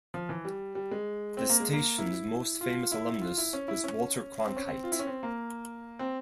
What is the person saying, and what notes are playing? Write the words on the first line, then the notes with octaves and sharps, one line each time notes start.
The station's most famous alumnus was Walter Cronkite.
F3
E3
G3
G3
G#3
C4
A#3
G#3
A#3
E4
F4
E4
F4
E4
C#4
E4
C#4
C4
C#4
C4
F4
E4
C#4
C4
A#3
C4